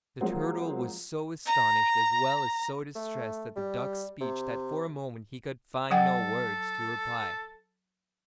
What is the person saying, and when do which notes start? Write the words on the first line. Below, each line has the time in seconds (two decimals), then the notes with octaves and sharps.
The turtle was so astonished as well as so distressed at the duck's speech that for a moment he could find no words to reply.
0.21 F3 F#3 G#3 A#3 C4 F4
1.45 A#5
2.96 A3
3.56 G3
4.21 C3
5.91 F#3 A4 F#5 G5